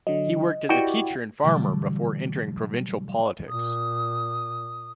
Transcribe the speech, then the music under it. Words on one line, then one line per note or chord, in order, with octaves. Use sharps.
He worked as a teacher and farmer before entering provincial politics.
D3 F#3 D#5
E4 F#4 G4 B4 D5 G5
B2 D3 E3 F#3 G3 A3
A#2 D#6